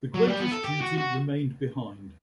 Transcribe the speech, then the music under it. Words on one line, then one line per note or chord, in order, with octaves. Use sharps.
The greatest duty remained behind.
F#3
G3
B3
A4
G4
F#4
F#4